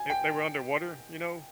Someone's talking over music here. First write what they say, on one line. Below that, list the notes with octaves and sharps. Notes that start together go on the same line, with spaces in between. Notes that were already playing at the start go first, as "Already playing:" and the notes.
they they were underwater, you know?
Already playing: G#5
G5